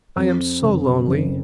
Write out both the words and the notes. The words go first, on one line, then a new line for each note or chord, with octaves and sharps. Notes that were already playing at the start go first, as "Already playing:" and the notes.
I am so lonely.
F2
F#1
F#1